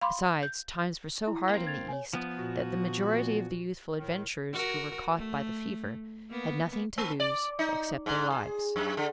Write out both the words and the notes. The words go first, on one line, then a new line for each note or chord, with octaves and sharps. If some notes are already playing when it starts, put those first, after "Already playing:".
Besides, times were so hard in the East that the majority of the youthful adventurers who were caught by the fever had nothing to lose except their lives.
F5 B5 C6 D6
G6
E4
A#3 C4
G#6 A6 F7
C#5 G#5
F3 B3
A#2 F#4
A2 D#3
F#4 A#4
A3
A#3 B3
A#3
D5
D#4
G#2
G#4
F#2
D3